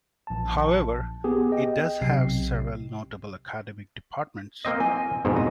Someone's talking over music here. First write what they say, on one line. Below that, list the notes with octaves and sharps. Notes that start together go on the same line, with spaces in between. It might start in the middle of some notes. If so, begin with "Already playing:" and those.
However, it does have several notable academic departments.
A#1 A5
B3 G4 G#4
D#5 G5
B1 C3 C7
A#3 C4 D#5
G#5
F2 G#2 B2
D#5